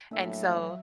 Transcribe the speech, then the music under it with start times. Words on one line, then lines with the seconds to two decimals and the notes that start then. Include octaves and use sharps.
And so
0.11 A2 F#3 A3 A#3 D4 E5 G#5